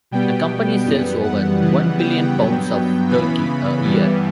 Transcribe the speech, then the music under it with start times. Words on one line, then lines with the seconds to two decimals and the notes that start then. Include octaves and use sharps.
The company sells over one billion pounds of turkey a year.
0.11 B2 G3 B3 G5
0.85 F#2 E3 G3 B3
1.23 F#5
1.60 C#3 E3 G3 B3
1.98 G5
2.35 G2 F#3 B3
3.09 C#3 E3 B3 B5
3.84 G2 E3 G3 B3